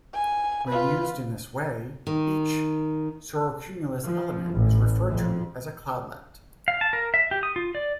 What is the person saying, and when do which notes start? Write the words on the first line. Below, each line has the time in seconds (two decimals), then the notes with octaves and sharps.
When used in this way, each cirrocumulus element is referred to as a "cloudlet".
0.14 G#5
0.68 F4 B4
2.07 D#3
4.04 F3
4.53 A1
5.09 F2
6.68 F5
6.81 A5
6.93 A#4
7.14 E5
7.31 G4
7.43 D#6
7.56 F4
7.75 D5